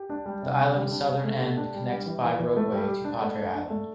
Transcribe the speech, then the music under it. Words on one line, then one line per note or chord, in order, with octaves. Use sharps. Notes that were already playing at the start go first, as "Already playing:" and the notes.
The island's southern end connects by roadway to Padre Island.
Already playing: G4
D4
G3
C3
C4
G3
D4
C3
A3
G4
D4
G3
G3
E3
E3
E3
A3
G3
G4
D4
A3
D4
D4
A3